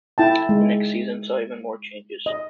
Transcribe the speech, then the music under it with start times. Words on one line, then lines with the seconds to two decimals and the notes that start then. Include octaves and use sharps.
The next season saw even more changes.
0.18 E4 G5 A5
0.49 G#3
2.26 D#5